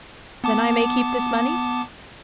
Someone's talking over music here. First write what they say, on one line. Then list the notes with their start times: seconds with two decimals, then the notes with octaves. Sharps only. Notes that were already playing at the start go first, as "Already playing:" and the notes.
"Then I may keep this money?"
0.44 B3 A5 D6